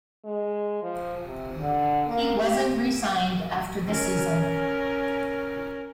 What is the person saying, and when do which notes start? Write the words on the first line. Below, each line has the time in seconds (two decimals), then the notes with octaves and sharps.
He wasn't re-signed after the season.
0.25 G#3
0.83 F3
1.26 C3
1.61 D3
2.07 A#3
2.43 G4
3.87 C#4 A#4